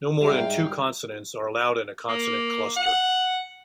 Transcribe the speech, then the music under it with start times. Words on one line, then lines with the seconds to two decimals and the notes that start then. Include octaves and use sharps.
No more than two consonants are allowed in a consonant cluster.
0.21 G#2 G3 E5 F5 G5
2.08 A#3
2.76 F#5